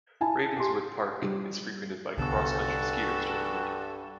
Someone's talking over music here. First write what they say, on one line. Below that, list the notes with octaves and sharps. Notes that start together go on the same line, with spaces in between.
Ravenswood Park is frequented by cross-country skiers during the winter.
E4 G#5 A5
G4 C6
G3
C2 G2 D3 B3 C#4 F#4 A4